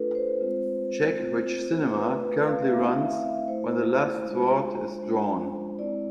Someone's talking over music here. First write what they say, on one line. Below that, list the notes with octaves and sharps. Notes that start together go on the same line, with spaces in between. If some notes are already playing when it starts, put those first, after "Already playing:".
Check which cinema currently runs When the Last Sword is Drawn.
Already playing: A3 D4 F4 A4 B4
C5
G#3 C4 F4
A3 C4 F4
A3 D4 F4 B4
B4
F5
E5
A3 C4 E4 F5
E5
E5
A3 E4 C5
G#3 D4 F4
G#3 D4 F4
G#3 C4 E4 D5